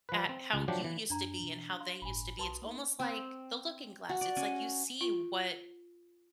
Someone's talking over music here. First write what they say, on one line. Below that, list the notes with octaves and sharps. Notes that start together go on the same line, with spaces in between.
at how you used to be and how they used to be. It's almost like the looking glass, it's like you see what
F3 B4
C4
C#2
F3 F#3 D4 G4
E3
F#2 D4 A#5
B2 E3
F5 C6
G1 A2 G#5 B5
B1 F#4 B4 A5 C6 D#6
A#3 D#4
C4
F#4
D5
C#4
F4